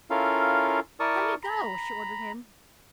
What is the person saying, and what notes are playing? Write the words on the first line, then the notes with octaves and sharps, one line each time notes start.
"Let me go!" she ordered him.
C#4 E4 F4 A4 A#4 F5
E4 A#4 D5 A5 C#6 D#6
A#5 B5